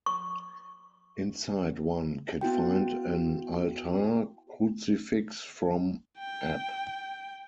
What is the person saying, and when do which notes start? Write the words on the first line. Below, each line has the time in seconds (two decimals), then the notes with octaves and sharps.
Inside one can find an altar crucifix from ab.
0.06 C#6
2.41 B3 E4 F#4 G5
6.18 G5